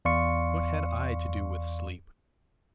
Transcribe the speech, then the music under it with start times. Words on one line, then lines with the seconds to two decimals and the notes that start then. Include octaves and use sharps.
What had I to do with sleep?
0.05 E2 D5 F5 C6 C#6 C#7